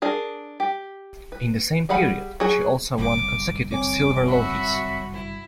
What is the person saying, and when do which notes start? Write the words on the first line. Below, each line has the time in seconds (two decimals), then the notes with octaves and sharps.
In the same period, she also won consecutive Silver Logies.
0.02 D4 G#4 A#4
0.60 G4
1.32 B4
1.89 G3 G#4 F5 F#5 B5
2.40 F#3 G#4
2.98 G1 C2 F#2 D6
3.71 C4 C#5 G#5 D6
4.27 F#4 E5 B5
5.13 E4